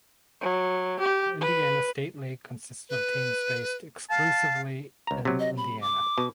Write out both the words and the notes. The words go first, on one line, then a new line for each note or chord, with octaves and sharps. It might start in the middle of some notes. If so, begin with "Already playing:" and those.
The Indiana State League consisted of teams based exclusively in Indiana.
F#3
G4
B4
B4
F5 A5
C#2 A#5
C3 F#3
D#5
B5
D6
B2